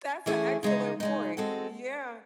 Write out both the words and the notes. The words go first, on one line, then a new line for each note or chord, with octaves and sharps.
That's an excellent point. Yeah.
E3 A3 C#4 E4 G#4
C#3 G#3 D#4
C#3 G#3 D#4
G#3 C4 F#4 A4